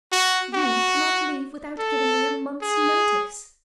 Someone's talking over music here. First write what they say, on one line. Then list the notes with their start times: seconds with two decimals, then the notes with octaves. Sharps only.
"You can not leave without giving me a month's notice."
0.13 F#4
0.54 F#4
1.79 A4
2.62 G#4